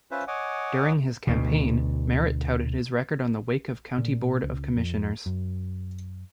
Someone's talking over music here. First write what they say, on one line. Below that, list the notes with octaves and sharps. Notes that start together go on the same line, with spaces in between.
During his campaign, Merritt touted his record on the Wake County Board of Commissioners.
C#4 F4 B4 C5 E5
C#5 D#5 F#5 G#5 D6
D2 B2
A#2
C#2
F2
F#2